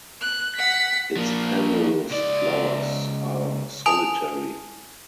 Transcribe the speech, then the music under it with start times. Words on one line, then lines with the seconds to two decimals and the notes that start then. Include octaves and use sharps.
Its pendulous flowers are solitary.
0.21 F#6
0.56 F#5 B6
1.17 F3 A#3
2.11 C#2 D5
3.86 G#5 A5 D#6 D7 F7